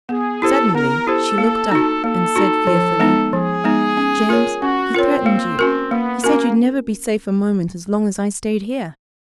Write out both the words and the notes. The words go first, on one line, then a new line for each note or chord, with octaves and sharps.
Suddenly she looked up and said fearfully, "James, he threatened you. He said you'd never be safe a moment as long as I stayed here."
B3 G#4
E4 G4 A4 C5
B3 A#4
E4 G4 A4 C5
A#3
D#4 F#4
A#3 A4
D#4 F#4
F3
G#3 B3 D#4
F3 G#4
G#3 B3 D#4
C#4
F4 A#4 C#5
C#4 F#4
C4 F4 A#4 C#5
A#3
C#4 F#4 A#4
A#3 B3
A#3 C#4 F#4 A#4